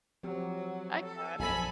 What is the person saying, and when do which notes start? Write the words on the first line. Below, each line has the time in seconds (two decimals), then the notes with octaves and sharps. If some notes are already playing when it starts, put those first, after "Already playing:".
I got it.
0.23 F3 F#3 C4 G4
1.05 A4
1.39 A#1 F#2 A4 G#5 B5